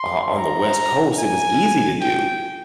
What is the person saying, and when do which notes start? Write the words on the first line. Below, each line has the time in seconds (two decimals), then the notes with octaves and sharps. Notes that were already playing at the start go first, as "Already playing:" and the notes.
o on the West Coast, it was easy to do,
Already playing: C6
0.38 A#5
1.19 G#5
2.01 G5